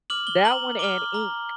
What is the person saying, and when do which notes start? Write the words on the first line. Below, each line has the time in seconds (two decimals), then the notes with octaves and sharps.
That one and Ink,
0.10 D6 F6 F#7
0.27 G7
0.44 A#5 F#7
0.79 D6 F6 G7
1.14 A#5